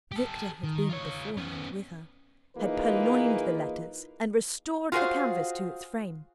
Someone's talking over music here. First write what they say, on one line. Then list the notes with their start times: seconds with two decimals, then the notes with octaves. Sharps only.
Victor had been beforehand with her, had purloined the letters and restored the canvas to its frame.
0.11 G4 A4
0.63 D#3
0.89 F4 C#5
1.37 B3 C#4
2.56 E3 A#3 D#4 F4 G#4 B4
4.92 F4 F#4 G#4 A#4 C5 F5